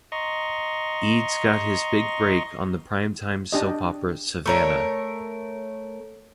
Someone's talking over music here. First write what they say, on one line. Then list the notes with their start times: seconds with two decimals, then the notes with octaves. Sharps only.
Eads got his big break on the primetime soap opera "Savannah".
0.12 D#5 A#5 C6 C#6
3.52 D4 G4 D#5
4.46 A3 A#4 C#5